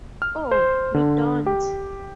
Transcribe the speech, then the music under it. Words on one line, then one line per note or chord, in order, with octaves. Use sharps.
Oh, you don't?
F6
C5
D3
G4